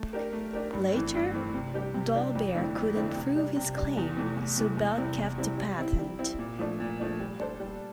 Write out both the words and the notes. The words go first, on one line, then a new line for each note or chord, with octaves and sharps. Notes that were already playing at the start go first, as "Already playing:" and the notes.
Later, Dolbear couldn't prove his claim, so Bell kept the patent.
Already playing: A3
D4 G4 A#4
A3
D4 G4 A#4
G2
E3 A3 C4
G2
E3 A3 C4
C3
G3 D4 G4
C3
G3 D4 G4
F2
D3 A3 C4 E4
F2
D3 A3 C4 E4
C3
G3 D4
C3
G3 D4
E2
C3 E3 A3
E2
C3 E3 A3
E2
C3 G3 C4 E4
E2
C3 G3 C4 E4
G3
C4 E4
G3
C4 E4
A#2
F3 A3 D4
A#2
F3 A3 D4
G3
D4 A4 C5
G3